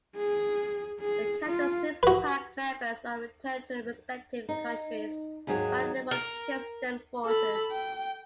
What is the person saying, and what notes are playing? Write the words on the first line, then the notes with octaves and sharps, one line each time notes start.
The captured Six Pack members are returned to their respective countries by Rumekistan forces.
G#4
G#4
F4
F#4 B4
D#4
D#2 G#2 F#3 G#4
A#4
A4 B5
G5